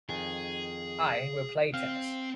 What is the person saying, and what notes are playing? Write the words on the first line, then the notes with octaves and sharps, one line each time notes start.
I will play tennis.
F2 D#3 G#4
C4 F5